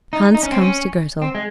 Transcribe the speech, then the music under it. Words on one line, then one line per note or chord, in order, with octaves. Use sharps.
Hans comes to Grettel.
D#4
D#4
C#4
C4
C#4
C4
G#3